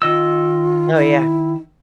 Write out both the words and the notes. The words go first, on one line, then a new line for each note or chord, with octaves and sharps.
Oh, yeah.
D#3 F4 D#5 E6
E4